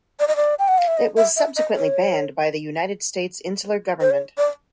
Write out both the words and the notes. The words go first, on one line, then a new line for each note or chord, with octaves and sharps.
It was subsequently banned by the United States Insular Government.
D5
D#5
D5
G5
F#5
F5
E5
D#5
E5
E5
D#5
C#5
C5
C#5
D5